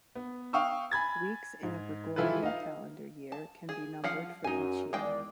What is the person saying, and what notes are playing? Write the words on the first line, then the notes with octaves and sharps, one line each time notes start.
Weeks in a Gregorian calendar year can be numbered for each year.
B3
F5 G5 C#6 D#6 E6
G#5 B5 G#6 A6
G#2
D#3 E3 E4 F4 A4 B4
D#4 F5
A5
G#4
F3 F5 F#5
F#2 D#4 G#5
E2 D#3 G#3 D5 G5